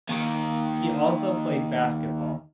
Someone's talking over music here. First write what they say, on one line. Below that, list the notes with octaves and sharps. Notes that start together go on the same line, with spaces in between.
He also played basketball.
D#2 D#3